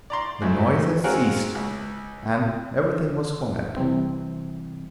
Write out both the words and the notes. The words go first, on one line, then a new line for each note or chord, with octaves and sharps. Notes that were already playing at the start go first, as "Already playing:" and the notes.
The noise had ceased, and everything was quiet.
D5 A#5 C6
C#2 F#2 A3
G#3 C4 F4 F#4 G#4 A#4
C#2
C3 E3 G3 C4